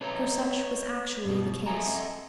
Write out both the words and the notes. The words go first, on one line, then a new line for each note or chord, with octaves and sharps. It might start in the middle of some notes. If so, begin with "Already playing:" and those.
For such was actually the case.
D4 B4 C#5 E5 F5 A#5
G2 B2
A4 D#5 E5 F#5 G#5 A#5